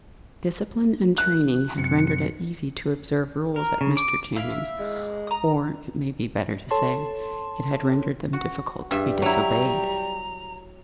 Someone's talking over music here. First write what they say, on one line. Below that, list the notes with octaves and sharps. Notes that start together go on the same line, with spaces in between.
Discipline and training had rendered it easy to observe rules at Mr. Channing's; or, it may be better to say, it had rendered them difficult to be disobeyed.
F#6
F#2 C3 C#7
A#4
C#3
D6
E4 E5 F5
G#3
A#5 D#6
A4 C#5 A5 C6
F#4
G2 G3 E5
F#3 E4 A#5